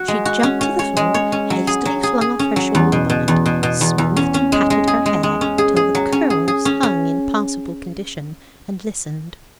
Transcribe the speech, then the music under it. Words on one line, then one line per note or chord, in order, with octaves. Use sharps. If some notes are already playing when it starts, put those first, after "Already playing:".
She jumped to the floor, hastily flung off her shawl and bonnet, smoothed and patted her hair till the curls hung in passable condition, and listened.
Already playing: F#4
G#3
F#4
C#4
C#4
C#5
G#3
C#5
C#4
F#3
G#4
F#3
G#4
G#4
C#4
F#3
E2
B2
B2
E2
B2
B2
E2
E2
C#4
C#4
G#3
G#3
G#4
G#3
G#3
C#4
G#4
G#4
F#3
C#4
G#4
G#4
C#4
C#4